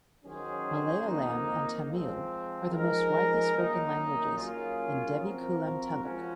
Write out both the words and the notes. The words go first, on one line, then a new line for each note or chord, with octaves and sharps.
Malayalam and Tamil are the most widely spoken languages in Devikulam taluk.
D#3 F#3 C#4 G#4 C5
F2 D#3 A#3 D#4
F3 G#3 C4
F3 G#3 D#4 A#4
F#2 D#3 A#3 D#4
F#3 A#3 C#4 F4 G#4
F3 C4 F#4 A#4
F#2 F3 G#3 C#4 F#4